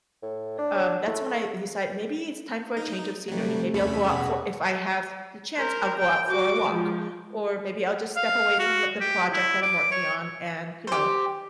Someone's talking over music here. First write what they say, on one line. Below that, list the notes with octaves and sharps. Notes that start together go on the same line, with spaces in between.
Um, that's when I decide, maybe it's time for a change of scenery. Maybe I'll go out for if I have the chance, I'll go out for a walk. Or maybe I'll just step away from the project that I'm working on, and, you know,
A2
D4
C#5
A3 E4
D#4
C3 F#3 G3 A3
E2 C#4 E4 B5
B2 F#4 G#4
A#4 C5
G5
F#4 D6
F3 G#3
F5
F#4
G4
E4
D6
C#5
G4 C5